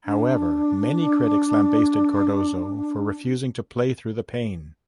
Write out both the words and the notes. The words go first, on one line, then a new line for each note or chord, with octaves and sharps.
However, many critics lambasted Cardozo for refusing to play through the pain.
D4